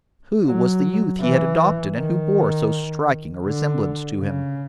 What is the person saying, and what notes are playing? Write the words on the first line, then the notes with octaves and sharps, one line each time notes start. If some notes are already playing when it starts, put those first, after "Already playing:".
Who was the youth he had adopted and who bore so striking a resemblance to him?
F#3
E3
D#3
D3
C#3